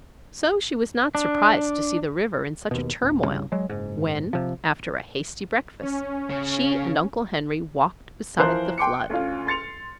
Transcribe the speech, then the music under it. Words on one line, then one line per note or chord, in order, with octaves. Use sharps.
So she was not surprised to see the river in such a turmoil when, after a hasty breakfast, she and Uncle Henry walked beside the flood.
D4
D#2 B2
D#1
C2 G2 C#3
F#3 G#3
F#1 G#2
C3 F3
C#4
C#3
E3 F3 A#4 C5 F#6
G5 C6 D6 C#7
D2 C#4 F4
C6 A6 C#7 F7